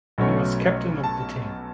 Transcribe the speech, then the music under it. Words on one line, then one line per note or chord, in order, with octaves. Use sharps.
He was captain of the team.
B1 B2 F#3 A3 C#4
A5